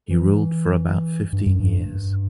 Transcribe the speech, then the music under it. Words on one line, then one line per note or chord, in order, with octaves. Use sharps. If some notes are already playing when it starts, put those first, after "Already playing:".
He ruled for about fifteen years.
E3
G2
F#2
G2